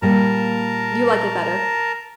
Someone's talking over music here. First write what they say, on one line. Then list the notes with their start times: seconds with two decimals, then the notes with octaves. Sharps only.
You like it better?
0.02 A#2 G3 A#3 A#4 A5 A#5